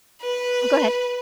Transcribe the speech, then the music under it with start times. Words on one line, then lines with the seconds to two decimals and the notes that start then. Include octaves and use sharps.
Oh, go ahead.
0.22 B4